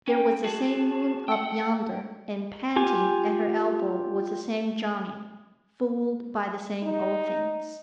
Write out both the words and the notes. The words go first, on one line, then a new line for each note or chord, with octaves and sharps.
There was the same moon up yonder, and panting at her elbow was the same Johnny--fooled by the same old things!
C#4 G5
F#4 G#4 A5
F#5 G5
G5
F4 G4 G#5
D#4